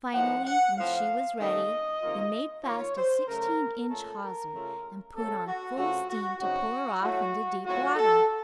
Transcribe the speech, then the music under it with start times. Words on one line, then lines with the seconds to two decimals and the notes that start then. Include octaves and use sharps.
Finally, when she was ready they made fast a sixteen-inch hawser, and put on full steam to pull her off into deep water.
0.13 A2 F3 A#3 D#4 F#5
0.45 F#5
0.76 A2 F3 C4 F4 F5
1.39 C3 D#3 A3 C#4 D#5
2.01 C3 D#3 A#3 F4
2.64 D#3 A#3 F4 C#5
2.96 C5
3.27 C#3 F#3 A3 A#4
3.89 A#2 A3 C#4 F4 A4
4.21 A#4
4.52 C#3 A3 C#4 F4
5.15 C3 F#3 A#3 C#4 A4
5.46 F#4
5.77 C#3 A3 C4 F4 F#4
6.09 F#4
6.40 C#3 F#3 C4 D#4 F#4
7.02 A2 F#3 A3 F#4
7.65 A2 F#3 C4 F4 F#4
7.96 A4